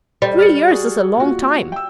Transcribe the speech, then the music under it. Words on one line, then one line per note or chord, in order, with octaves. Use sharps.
Three years is a long time.
G3
F6 A6 C#7
F#4 G#4
A#2 F#4
G5 E6